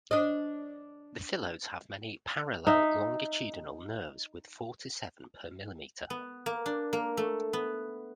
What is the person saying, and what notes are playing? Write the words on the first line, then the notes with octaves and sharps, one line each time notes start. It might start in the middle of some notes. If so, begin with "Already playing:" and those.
The phyllodes have many parallel longitudinal nerves with four to seven per millimetre.
D4 D#5
D#4 E5
B3
A#3
D4
A#3
A3
B3